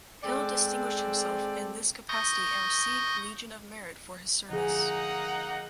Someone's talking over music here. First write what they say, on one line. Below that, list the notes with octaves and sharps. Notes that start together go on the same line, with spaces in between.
Hill distinguished himself in this capacity and received Legion of Merit for his service.
G#3 C4 A4 D5 G5
C#6 D#6 G6 A#6
D3 F3 A#3 D#4 G#4 F#5